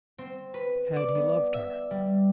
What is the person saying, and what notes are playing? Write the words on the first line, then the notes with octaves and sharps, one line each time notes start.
Had he loved her?
C4
B4
D5
B3
E5
G3